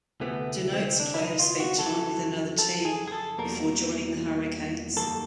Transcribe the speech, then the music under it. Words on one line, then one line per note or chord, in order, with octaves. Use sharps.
Denotes player spent time with another team before joining the Hurricanes.
D2 C3 E3 A3 B3
C4
D4
E4
D#4
F4
F#4
F2 C#3 F#3 A4
A4
G#4
G#4
A4
E2 B2 G3 A#3 A#4
F#2 D#3 G3 A#3 A4